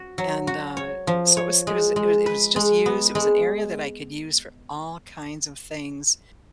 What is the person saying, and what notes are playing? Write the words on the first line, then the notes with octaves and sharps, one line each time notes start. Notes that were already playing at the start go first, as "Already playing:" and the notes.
and, uh, so, it was it was it was it was just used, it was an area that I could use for all kinds of things,
Already playing: F#4
F#3
F#4
C#5
F3
C#5
G#3
G#3
B4
G#3
B3
G#3